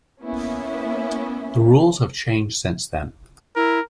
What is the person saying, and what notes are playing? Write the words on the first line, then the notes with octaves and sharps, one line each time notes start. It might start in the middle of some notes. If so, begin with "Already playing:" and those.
The rules have changed since then.
A#3 B3 C#4 E4
E4 A#4